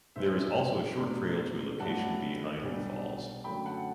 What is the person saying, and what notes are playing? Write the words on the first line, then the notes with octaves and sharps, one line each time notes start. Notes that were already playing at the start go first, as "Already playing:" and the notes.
There is also a short trail to a location behind the falls.
B1 B2 F#3 B3 C5 E5
E1 E2 B2 A3 D4
G2 F#3 A3 F#5 A5
B1 B2 G3 D4
F#2 D3 F#3 A3 G5 B5
F#5 A5